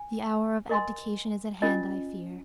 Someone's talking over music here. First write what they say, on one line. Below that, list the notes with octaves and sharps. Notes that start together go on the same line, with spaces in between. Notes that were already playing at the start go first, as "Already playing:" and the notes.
The hour of abdication is at hand, I fear.
Already playing: G#5
A#4 D#5 G#5 C6
C#4 F4 A#4 D#5 G#5